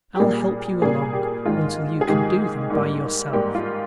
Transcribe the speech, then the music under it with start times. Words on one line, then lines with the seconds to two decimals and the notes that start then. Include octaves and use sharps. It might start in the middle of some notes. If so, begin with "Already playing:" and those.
I'll help you along until you can do them by yourself.
0.16 G4
0.19 A#2 G3 A#3 G#4
0.82 A#2 G3 A#3 G#4
1.13 G4
1.45 G#2 D#3 G#3 F4
2.01 G#4
2.08 G#2 D#3 G#3 G4
2.70 G#2 G3 A#3
3.33 G#2 G3 A#3 G4
3.55 F4